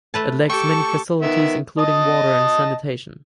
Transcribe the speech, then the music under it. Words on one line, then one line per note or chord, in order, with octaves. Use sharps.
It lacks many facilities including water and sanitation.
A3 B4 A5
G4 A4 G5 A5 C#6
D#3 B3 E5
D#5 A5 D#6